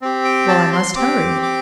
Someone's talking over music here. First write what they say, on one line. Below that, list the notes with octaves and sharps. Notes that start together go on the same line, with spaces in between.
Well, I must hurry.
C4 G4
G5
A5
C6
C4 G4 D6
D6